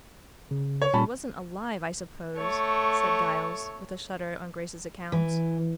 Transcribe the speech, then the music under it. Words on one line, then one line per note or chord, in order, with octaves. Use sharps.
"He wasn't alive, I suppose?" said Giles, with a shudder on Grace's account.
C#3
C#5
A#2 G3 C#4 A5 B5
A3 C#5
E3